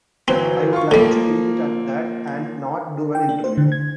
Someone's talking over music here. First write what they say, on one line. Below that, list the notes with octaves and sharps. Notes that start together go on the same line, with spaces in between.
'I'd like to leave it at that and not do an interview.
G1 E3 F#3 C4
F4 C#6
A2 F3 G3 A#3
G5
D4
C5
D3
G#6